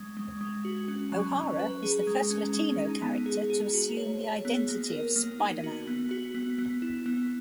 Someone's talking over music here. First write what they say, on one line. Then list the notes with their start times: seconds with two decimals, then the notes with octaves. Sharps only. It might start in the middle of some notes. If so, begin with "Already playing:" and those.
O'Hara is the first Latino character to assume the identity of Spider-Man.
Already playing: G#3
0.17 G#3
0.41 G#3
0.65 F#4
0.88 C#4
1.12 F#3
1.36 F#3
1.59 B4
1.83 G#4
2.07 G#3
2.30 C#4
2.54 G#3
2.78 D#4
3.02 B3
3.26 G#4
3.50 G#4
3.73 F#4
3.97 C#5
4.21 C#5
4.45 B3
4.68 A#3
4.92 A#4
5.16 A#3
5.40 D#4
5.64 F#4
5.87 B3
6.11 F#4
6.34 B3
6.58 B3
6.82 E4
7.06 B3